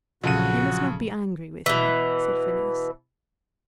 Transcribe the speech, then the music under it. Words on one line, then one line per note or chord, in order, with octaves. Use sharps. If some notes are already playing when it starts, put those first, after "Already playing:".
"You must not be angry with me," said Phineas.
A#1 F2 C#3 F3 F#3 F#4 A4 D#7
B2 E3